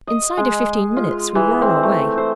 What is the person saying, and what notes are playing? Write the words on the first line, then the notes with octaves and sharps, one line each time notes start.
Inside of fifteen minutes we were on our way.
D#5
G#3
F4
E3
C4
A3
C5